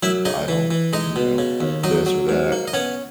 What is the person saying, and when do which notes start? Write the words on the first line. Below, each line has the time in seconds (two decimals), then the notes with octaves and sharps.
I don't you know, this or that."
0.03 F#2 E4 E5
0.25 C#3 D#4 D#5
0.48 E3
0.71 E3
0.93 G#3 D#4 D#5
1.16 B2
1.38 C#3
1.60 D#2
1.84 F#3 D#4 D#5
2.06 F#3
2.29 G#2
2.52 A#3
2.68 D#5
2.74 B3 C#4 C#5